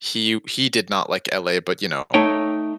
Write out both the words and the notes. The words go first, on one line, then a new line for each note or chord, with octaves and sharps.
he he did not like LA, but, you know
A3 D#4 C#5 G5